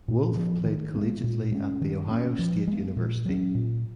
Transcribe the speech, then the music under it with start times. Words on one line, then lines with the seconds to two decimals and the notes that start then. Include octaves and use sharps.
Wolf played collegiately at The Ohio State University.
0.08 A#2
0.36 F3 B3
0.66 D#3
0.95 G#3 B3
1.23 A#2
1.52 G#3 C#4
1.81 D#3
2.10 A#3 C#4
2.39 F3
2.67 G#3
2.73 B3
2.96 A#2
3.26 F#3 C#4
3.55 A#2